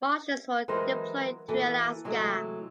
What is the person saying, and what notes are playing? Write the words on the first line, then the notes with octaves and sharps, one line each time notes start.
Marshals were deployed to Alaska.
E3 F#3 G#3 C4 A#4 C5
E3 A#3 F#4 A4
C3 E3 F#3 G#3 A3